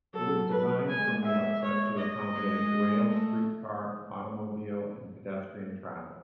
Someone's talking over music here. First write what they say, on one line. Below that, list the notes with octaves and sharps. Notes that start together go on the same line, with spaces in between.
It was designed from the outset to accommodate rail, streetcar, automobile and pedestrian traffic.
F#3 A4
B4
G#3 G#5
E5
C#5
D#5
G#3
A3